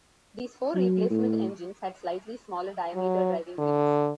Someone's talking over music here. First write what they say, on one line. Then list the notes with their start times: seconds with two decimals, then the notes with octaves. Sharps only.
These four replacement engines had slightly smaller diameter driving wheels.
0.75 F#3
1.10 A2
2.95 F#3
3.58 D3